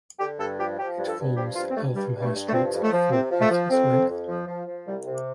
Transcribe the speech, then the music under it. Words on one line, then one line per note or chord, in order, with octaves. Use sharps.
It forms Eltham High Street for part of its length.
D3 G4
G2 A4
F3 G4
F3 G4
G2
A4
G2
F3 G4
G2 F4
C4
G2 A3
G2 G3
G2
G3
A3
G2
A3
F3 C4
F2
A3
F3
C3 C4
F3
A3
F3
F2 C4
F2
F2
F3
F3
F3
C2 G3
C3